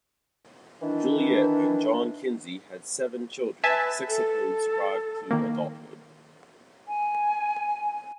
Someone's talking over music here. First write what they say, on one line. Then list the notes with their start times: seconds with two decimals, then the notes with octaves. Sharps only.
Juliette and John Kinzie had seven children, six of whom survived to adulthood.
0.81 D#3 E3 D4
3.64 B4 E5 G#5 A5
4.08 A4
5.31 D#3 A#3
6.88 G#5